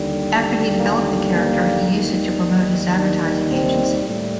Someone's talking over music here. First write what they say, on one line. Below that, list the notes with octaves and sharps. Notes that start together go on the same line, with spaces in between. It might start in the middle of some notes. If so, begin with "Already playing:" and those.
After he developed the character, he used it to promote his advertising agency.
Already playing: D#2 D3 G3
A#3
A#3
D#2 D#3 G3
D4
C4
A2 G3